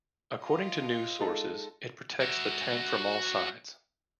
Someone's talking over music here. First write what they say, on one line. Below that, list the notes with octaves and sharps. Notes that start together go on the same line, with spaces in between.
According to news sources, it protects the tank from all sides.
F4 D#5
G#3 D#4 A4
F#4 E5